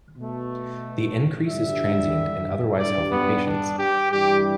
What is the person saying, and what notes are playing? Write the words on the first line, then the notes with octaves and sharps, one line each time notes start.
The increase is transient in otherwise healthy patients.
B2 A3
G2 D3 G3 E5
G2 G3 D5
B3
D4
G4
G2 E3 G3 G4